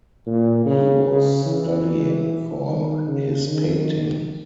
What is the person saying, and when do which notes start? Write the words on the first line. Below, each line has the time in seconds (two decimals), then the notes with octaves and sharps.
He was studying for his painting.
0.26 A#2
0.66 C#3
1.06 C#3
1.46 E3
2.68 D#3
3.08 C#3
3.47 D#3